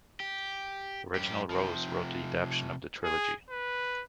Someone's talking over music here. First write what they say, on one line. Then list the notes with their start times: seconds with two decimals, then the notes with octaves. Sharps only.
Reginald Rose wrote the adaptation of the trilogy.
0.20 G4
1.15 F#2 G4
1.50 C3 F3
3.04 G#4
3.50 B4